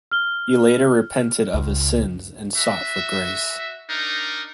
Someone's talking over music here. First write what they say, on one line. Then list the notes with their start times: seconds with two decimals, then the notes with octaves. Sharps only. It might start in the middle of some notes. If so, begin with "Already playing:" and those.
He later repented of his sins and sought for grace.
0.11 F6 G7
1.54 C#2
2.56 F#4 E5
3.88 D4 D#4 A#4